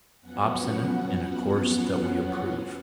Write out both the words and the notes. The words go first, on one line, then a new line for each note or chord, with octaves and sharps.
Obstinate in a course that we approve.
F2 F3 F#3 B3 C#4 F#5